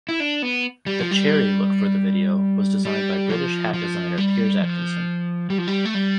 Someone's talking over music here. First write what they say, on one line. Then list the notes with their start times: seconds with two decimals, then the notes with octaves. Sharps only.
The cherry look for the video was designed by British hat designer Piers Atkinson.
0.09 E4
0.20 D4
0.42 B3
0.86 G3
1.00 F3
1.11 G3
2.85 G3
3.29 F3
3.74 F3
4.18 G3
4.62 F3
5.50 G3
5.58 F3
5.68 G3
5.85 A3
5.95 G3